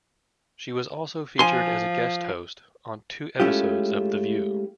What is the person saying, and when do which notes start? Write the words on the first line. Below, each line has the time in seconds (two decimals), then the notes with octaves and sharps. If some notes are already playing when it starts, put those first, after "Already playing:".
She was also featured as a guest host on two episodes of "The View".
1.39 F3 G#5 C6
3.40 G#3 A3 C#4 E4 F4 G4